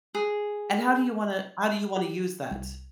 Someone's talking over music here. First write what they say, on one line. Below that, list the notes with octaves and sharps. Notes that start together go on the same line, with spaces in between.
And how do you wanna how do you wanna use that?
G#4
G4
C2